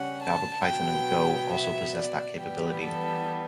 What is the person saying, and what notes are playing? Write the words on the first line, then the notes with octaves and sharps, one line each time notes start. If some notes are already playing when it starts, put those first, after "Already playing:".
Java, Python and Go - also possess that capability.
Already playing: C#3 G3 C#4 F#5
A5
B2 F#3 B3 G5
E5
D5
E3 G3 B3 G4
A4